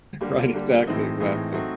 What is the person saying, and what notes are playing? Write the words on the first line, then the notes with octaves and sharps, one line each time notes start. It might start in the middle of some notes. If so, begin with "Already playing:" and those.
Right, exactly, exactly.
D3 G3 A#3
D3 G3 A#3
A2 E3 G#3 C4 D#4
A2 E3 G#3 C4 D#4
F#3 A3 C4 D#4